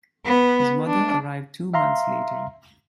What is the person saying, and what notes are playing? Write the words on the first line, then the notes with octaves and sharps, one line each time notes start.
His mother arrived two months later.
B3
D4
E5 F5 A#5 C6